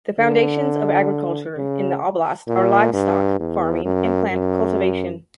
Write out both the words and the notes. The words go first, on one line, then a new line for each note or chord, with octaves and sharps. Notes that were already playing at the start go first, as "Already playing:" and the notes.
The foundations of agriculture in the oblast are livestock farming and plant cultivation.
D3
C#3
A#2
G2
E2
F#2
F#2